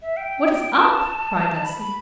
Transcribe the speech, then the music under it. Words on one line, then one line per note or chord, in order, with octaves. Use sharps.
"What is up!" cried Leslie.
E5
G5
A5
B5
B5